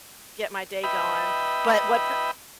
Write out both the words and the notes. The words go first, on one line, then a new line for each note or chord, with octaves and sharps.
get my day going. But what, uh
B4 D#5 E5 G5 B5